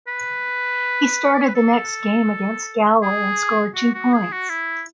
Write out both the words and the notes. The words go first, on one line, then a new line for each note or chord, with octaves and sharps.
He started the next game against Galway and scored two points.
B4
D5
C#5
B4
A4
G#4
F#4
F#4
G#4
F#4
E4